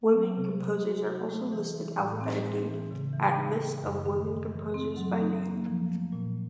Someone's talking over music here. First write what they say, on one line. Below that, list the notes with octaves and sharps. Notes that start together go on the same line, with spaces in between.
Women composers are also listed alphabetically at List of women composers by name.
F#3
C3
C3
F#4
F#4
A3
E3
E3
A2
C4
G#3
E3
C#3
E3
G#3
G#3
F#2
D#3
G#3
E3
C4
F#3
D#4
A#3
F3
A3
A#2